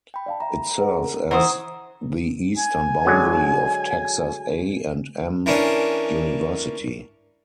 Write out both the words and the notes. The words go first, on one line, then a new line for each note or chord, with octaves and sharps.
It serves as the eastern boundary of Texas A and M University.
G5 B5
D5 F5 A5
E5 A#5 B5
G#4 B4 F#5
A#4
E3 C5 F#5 A#5 D#6
G#5
D3 F#3 G#3
E3 A#3 C#4 D4